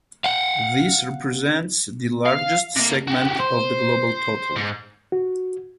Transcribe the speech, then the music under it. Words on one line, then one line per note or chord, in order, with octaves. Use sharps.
This represents the largest segment of the global total.
F5 F#5
F5
C3 A#3
F#4 G4
C5
G#2
F#4